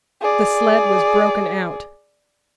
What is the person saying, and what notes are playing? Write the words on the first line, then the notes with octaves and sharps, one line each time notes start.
The sled was broken out.
G#4 D5